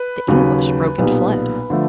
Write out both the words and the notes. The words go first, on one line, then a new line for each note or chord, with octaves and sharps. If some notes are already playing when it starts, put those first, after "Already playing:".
The English broke and fled.
Already playing: B4
D#2 C#3 F#3
B1 A#2 G3 B3
D3 F3 A3